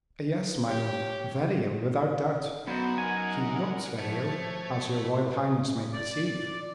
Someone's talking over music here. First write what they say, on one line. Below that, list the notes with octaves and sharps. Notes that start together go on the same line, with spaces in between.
"Yes, my lord, very ill, without doubt; he looks very ill, as your royal highness may perceive."
G4 C#5
F#2 B3 D#4 F#4 C5
A#4 F#5 G#5
F3 A3 C#5
D5